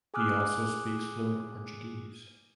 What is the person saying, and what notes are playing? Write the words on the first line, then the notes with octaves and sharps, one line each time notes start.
He also speaks fluent Portuguese.
G#4 G#5 D6 D#6 F6 F#6